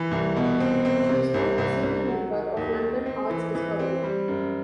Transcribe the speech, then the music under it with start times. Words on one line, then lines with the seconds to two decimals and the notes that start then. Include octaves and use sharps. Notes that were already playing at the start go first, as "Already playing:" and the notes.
She is now a senior member of London Arts Discovery.
Already playing: E3
0.11 C2
0.36 B2
0.60 C4
0.85 C4
1.09 C3
1.34 C2
1.58 C2
1.83 C2
2.08 F#3
2.32 D#3
2.57 D#2
2.82 D#3
3.06 C4
3.30 E3
3.55 E3
3.79 C4
4.03 G3
4.28 F#2